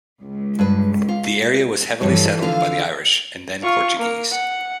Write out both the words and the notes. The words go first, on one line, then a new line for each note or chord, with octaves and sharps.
The area was heavily settled by the Irish and then Portuguese.
C#2
G2 B4
F4
G2 E3 F3 A4 C#5
D3 F4 F5
F4 C#6
A#3 A#4
F#5